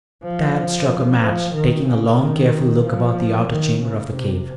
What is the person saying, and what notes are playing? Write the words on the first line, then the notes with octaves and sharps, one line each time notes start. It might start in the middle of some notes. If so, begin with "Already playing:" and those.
Tad struck a match, taking a long, careful look about the outer chamber of the cave.
F3
F3
D#3
C#3
D#3
F3
D#3
C#3
C3